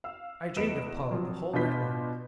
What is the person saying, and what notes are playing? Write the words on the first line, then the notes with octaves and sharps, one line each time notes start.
I dreamed of Paula the whole night long.
F5 E6
E2 B4 D#5 D7 E7
F3 F#3 C4
B2 D4 F4 B4 G6 B6